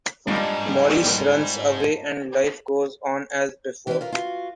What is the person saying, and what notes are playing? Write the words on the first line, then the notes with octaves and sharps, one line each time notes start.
Maurice runs away and life goes on as before.
G#2 G3 D4 D#4 F4
E3 G3 C#4 E4 B4
F4 A#4 B4
F4 F#4